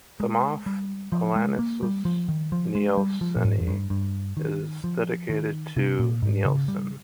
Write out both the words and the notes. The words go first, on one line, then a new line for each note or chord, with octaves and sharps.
The moth "Pollanisus nielseni" is dedicated to Nielsen.
G#3
G3
F3
G#3
A#3
G3
F3
D#3
F3
G#3
G3
F3
A#2
G#2
F2
G2
G2
D#3
F3
D#3
C3
A#2
G#2
C#3
G3